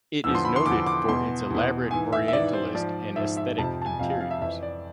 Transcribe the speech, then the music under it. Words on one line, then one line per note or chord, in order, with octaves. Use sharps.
It is noted for its elaborate Orientalist and aesthetic interiors.
E2 D3 F3 E6
C6
B5
C6
E2 D3 F3 D6
D6
E2 B2 C6
E2 B2
G#2 E3 G#5
E5
E5
G#2 E3 D5
C5
G#2 F3 D5
G#2 F3 E5
E5
F2 C3 F3 A5
A5
G#5
F2 C3 F3 F5
F5
F5
E5
F2 E3 E5
D5